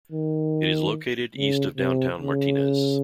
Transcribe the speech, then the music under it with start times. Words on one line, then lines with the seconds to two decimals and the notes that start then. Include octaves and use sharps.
It is located east of downtown Martinez.
0.12 D#3
1.36 C#3
1.78 C3
2.19 C#3